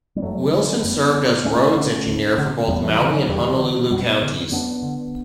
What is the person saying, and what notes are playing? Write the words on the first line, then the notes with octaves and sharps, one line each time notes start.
Wilson served as roads engineer for both Maui and Honolulu counties.
G3
F#2 F#3 A3
D3
F#2 G3 B3
D3
D2 A3 C#4
D3
D2
D3
E2 G3 B3
E3 G3
D3 E3
D3 F#3
E2 E3 G3
D3
F#2 G3 B3
D3
F#2 B3 D4
D3